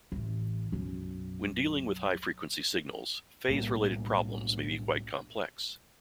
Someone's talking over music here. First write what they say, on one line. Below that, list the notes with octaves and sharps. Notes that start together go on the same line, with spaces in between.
When dealing with high frequency signals, phase-related problems may be quite complex.
A1 E3
B1 F#2
B1 A2 G3 A#3